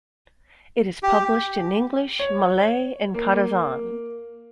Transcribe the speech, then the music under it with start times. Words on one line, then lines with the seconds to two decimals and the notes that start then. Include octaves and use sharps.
It is published in English, Malay and Kadazan.
1.03 G4
2.20 C#5
3.14 A#3